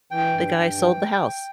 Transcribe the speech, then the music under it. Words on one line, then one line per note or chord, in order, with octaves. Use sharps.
the guy sold the house.
E3 G5
G2
G2
E3